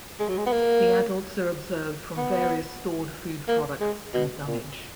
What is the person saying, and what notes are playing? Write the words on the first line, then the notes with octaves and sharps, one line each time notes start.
The adults are observed from various stored food products and dunnage.
G#3
F#3
G#3
B3
A#3
B3
A#3
G#3
B2
A#2